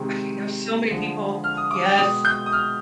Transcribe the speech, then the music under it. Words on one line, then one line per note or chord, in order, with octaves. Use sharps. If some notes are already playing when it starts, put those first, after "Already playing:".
okay I know so many people yes.
Already playing: C3 D#3 G#3
D3 F3 G#3
F6
D#6
D6
G5
B2 G#3 D#6
G6
D#6
F6